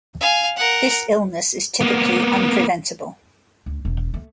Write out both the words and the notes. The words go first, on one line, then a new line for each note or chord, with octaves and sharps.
This illness is typically unpreventable.
F5 G#5
A#4 F#5
A#3 B3
D2
E1
A3